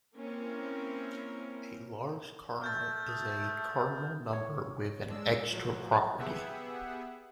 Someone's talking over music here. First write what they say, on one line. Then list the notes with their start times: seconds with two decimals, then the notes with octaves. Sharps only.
A large cardinal is a cardinal number with an extra property.
0.16 A#3 C4 C#4 E4 A#4
2.61 A3 F6 G6 A6
3.09 D#6
4.33 C#5
5.08 G#3 D4 E6
5.49 A2 F3 F#3
6.18 B3 G4 G#4 E5 F#5